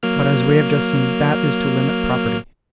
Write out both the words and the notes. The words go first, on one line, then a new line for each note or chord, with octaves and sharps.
But, as we have just seen, that is to limit property.
F#3 A#3 F6